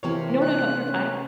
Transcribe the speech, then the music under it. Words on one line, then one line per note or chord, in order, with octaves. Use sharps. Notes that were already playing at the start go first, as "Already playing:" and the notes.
No, no, no, you're fine.
C3 E3 C4 A#4 C#5 F5
A3 F#6
C#4